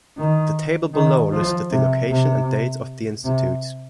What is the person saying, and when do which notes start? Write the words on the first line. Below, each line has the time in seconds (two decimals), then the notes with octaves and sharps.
The table below listed the location and dates of the Institutes.
0.17 D#3
0.94 D#3
1.33 F3
1.71 C3
2.09 C3
3.24 C3